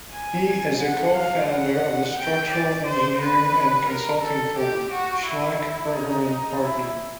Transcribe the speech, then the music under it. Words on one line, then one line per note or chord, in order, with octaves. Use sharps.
He is a co-founder of the structural engineering and consulting firm schlaich bergermann partner.
G#5
F#5
F5
F#5
G5
D5
C5
B4
A#4
A4
G4
F#4
E4
D#4
E4